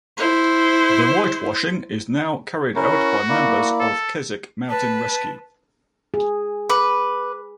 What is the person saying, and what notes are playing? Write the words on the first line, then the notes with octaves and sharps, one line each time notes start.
The whitewashing is now carried out by members of Keswick Mountain Rescue.
E4 C5
C#4 E4 F#4 A#4
A#3 E4 D5
A4
B4 A5
G#4
B4 D6